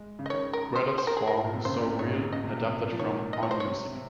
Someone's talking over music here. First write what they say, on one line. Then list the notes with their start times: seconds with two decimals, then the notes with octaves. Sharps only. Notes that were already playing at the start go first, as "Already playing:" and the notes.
Credits for "So Real" adapted from Allmusic.
Already playing: G#3
0.19 C#3
0.26 D#5
0.30 D#3 C#5
0.53 A#4
0.75 C5
0.98 C5
1.07 A#4
1.17 G#4
1.27 A#4
1.33 G#2
1.44 A#2
1.54 C3
1.65 C#3 C5
1.76 C3
1.82 A#2
1.99 G#2 C#5
2.32 C#3 D#5
2.44 C3
2.49 A#2
2.66 C3
2.83 A#2
2.92 F3
2.99 D#3 C#5
3.33 D#5
3.43 C#5
3.51 C5
3.60 C#5
3.67 C3
3.92 C3